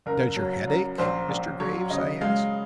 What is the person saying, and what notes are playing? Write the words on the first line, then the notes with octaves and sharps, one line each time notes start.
"Does your head ache, Mr. Graves?" I asked.
F#1 A#4
F#3
F#2
A#1 C5
A#1
F#3 C#5
C#3 D#5
G#3 F5